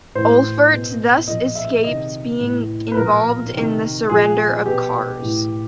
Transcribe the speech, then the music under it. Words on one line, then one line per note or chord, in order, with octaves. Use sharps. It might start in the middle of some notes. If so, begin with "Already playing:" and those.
Olpherts thus escaped being involved in the surrender of Kars.
A2 E3 C5
B2
A#2 F3 D#5
E5
C3 D#3 D#5
A2 E3
B4
A#2 F3 A#4
C3 D#3
A#2 F3 G#4
B2 G4
A2 E3